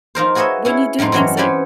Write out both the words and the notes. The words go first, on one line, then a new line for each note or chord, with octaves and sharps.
when you do things that
F3 D#4 A#4 C5
F#4 G#4 B4 C#5 D#5 E5
C#4 E4 G#4
F2 A2 G3 D#4 C6
G2 E3 F#3 G#3 C#4
C4 C#4 G4 B4 G#5